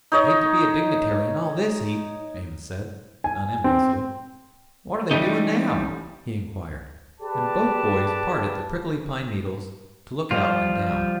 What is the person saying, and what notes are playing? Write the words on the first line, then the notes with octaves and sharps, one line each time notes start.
"Hate to be a dignitary in all this heat," Amos said, unenviously. "What are they doing now?" he enquired, and both boys parted the prickly pine needles to look out and down.
D#4 C#5 D#5
G#5
C4
E3 F#3 G3 A3 C#4 D#4
G4 G#4 B4 D5 A5
F3 G3 F4